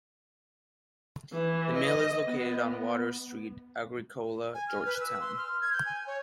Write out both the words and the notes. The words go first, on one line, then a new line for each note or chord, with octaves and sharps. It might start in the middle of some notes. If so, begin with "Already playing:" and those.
The mill is located on Water Street, Agricola, Georgetown.
E3
D#5
B3
G#5
F6
B4
E6
C6
F6
G#6
G6
G#5
C#5